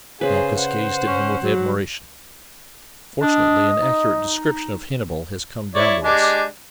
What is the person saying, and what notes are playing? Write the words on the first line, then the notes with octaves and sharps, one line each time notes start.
Malchus gazed at him with admiration. Fortunately an accurate description of Hannibal has come down to us.
C#3 G#4 B4 C5
C5 F#5
C#4
F#3
D4 D#5
D#4
E4 C#5 D5
G#3 D4 G4